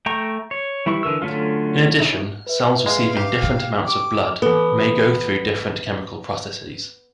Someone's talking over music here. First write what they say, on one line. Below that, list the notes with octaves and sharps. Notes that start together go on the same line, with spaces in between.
In addition, cells receiving different amounts of blood may go through different chemical processes.
A3 G5 A#5 C#6
C#5
E3 G3 E4 C#6
D3 E3 A#4 E6
D3 F#3 A3 C#4 F4
C#4 D#4 E4
B4 E5
G#3 F5
G4
G5 C#6 D6
E3 B3 A4